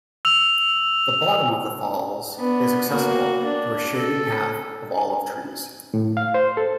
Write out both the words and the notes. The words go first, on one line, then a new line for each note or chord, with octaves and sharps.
The bottom of the falls is accessible through a shaded path of olive trees.
E6 F7
B3 D4
A#3 F#4
D4
A4
A2
F5
C5
A4